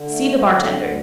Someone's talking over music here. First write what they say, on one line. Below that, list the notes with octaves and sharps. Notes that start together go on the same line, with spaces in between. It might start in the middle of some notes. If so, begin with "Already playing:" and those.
See the bartender.
Already playing: D3
A3
F#3
B3
D3
C4
D2